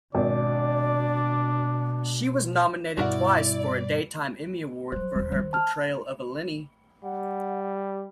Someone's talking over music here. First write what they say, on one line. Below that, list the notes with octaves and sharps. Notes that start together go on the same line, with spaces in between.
She was nominated twice for a Daytime Emmy Award for her portrayal of Eleni.
G#1 B2 D4 D5
G2 B2 G3 E4 F#4 A#4 D5 F#5
F#3 A3 C5
D#2 E3
D#3 D#4
A5 F6
G3 F#5